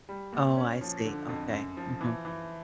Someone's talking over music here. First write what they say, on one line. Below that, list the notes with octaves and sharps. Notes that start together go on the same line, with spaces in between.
Oh, I see. Okay. Mhm.
G3
A#2
C#4
F3
D3
F2
F#2
F3
E3
E3